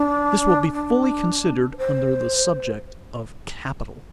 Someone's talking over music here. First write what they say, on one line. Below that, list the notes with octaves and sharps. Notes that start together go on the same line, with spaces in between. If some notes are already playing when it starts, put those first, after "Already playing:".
This will be fully considered under the subject of capital.
Already playing: D4
D4
C5